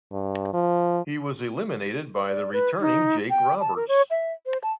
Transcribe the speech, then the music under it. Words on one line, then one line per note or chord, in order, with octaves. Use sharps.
He was eliminated by the returning Jake Roberts.
G2
F3
D5
B4
D#4
G5
A5
A#4
C#5
E5
C5
A5